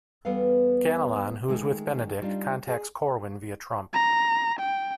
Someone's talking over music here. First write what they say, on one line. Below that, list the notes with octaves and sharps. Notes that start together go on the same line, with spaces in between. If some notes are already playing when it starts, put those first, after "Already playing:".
Ganelon, who is with Benedict, contacts Corwin via Trump.
E2 G3 B3 A4 B4 F5
D#3 G#3 A3
G3 D4 D#4 F4
G#4
A#5
G5